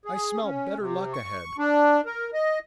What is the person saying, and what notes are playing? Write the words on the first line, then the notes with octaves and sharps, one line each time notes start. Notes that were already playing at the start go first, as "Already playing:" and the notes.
"I smell better luck ahead."
G#4
C#4
C3
C#6
D4
A#4
D#5